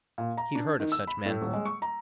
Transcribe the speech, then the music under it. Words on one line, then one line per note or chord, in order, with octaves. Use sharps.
He'd heard of such men.
A#2
A#5
D4
D#3
E6
B5
A2
D#1
G#3
C#6
A#5